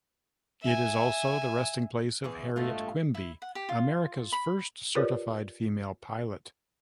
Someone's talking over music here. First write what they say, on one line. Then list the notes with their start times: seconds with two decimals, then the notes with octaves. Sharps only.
It is also the resting place of Harriet Quimby, America's first certified female pilot.
0.62 E5 G#5
2.24 E2 E3 G#4
2.56 G1 A2 G#3 A3 F4
3.15 E4
3.42 F#5
3.55 G4
3.69 F4
4.32 B5
4.95 F4 G4 A#4 B4 C#5 D5